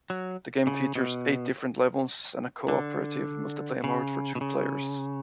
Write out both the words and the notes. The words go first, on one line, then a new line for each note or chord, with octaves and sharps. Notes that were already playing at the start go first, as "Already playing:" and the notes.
The game features eight different levels and a cooperative multiplayer mode for two players.
F#3
C#3
B2
D3
C#3
B2
C#3